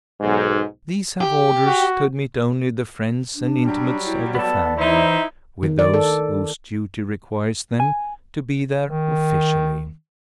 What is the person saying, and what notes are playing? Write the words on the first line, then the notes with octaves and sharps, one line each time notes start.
These have orders to admit only the friends and intimates of the family, with those whose duty requires them to be there officially.
B1 G#2
G4
F#4
D4
F#3 G3
E4
B3 A4 D5
E3 D#4 E4 C5
D#3
D5
A4
G#5
D#3